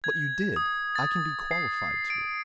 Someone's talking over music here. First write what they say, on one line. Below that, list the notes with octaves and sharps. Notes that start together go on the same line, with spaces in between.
"But you did, I can be qualified to it."
G#6
D#6
A6
C7
D7